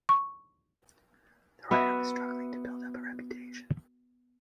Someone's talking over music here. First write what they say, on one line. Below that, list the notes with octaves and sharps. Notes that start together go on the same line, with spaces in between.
The writer was struggling to build up a reputation.
C#6
B3 F#4 E5